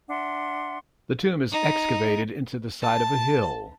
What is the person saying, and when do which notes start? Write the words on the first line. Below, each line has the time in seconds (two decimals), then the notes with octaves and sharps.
The tomb is excavated into the side of a hill.
0.08 D4 E5 F#5 C6
1.52 D#4
2.82 A5